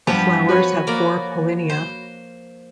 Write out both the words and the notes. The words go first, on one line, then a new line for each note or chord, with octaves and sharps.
The flowers have four pollinia.
G2 F3 B3 G4
F#4 B4 C#5
A#3 D5
C5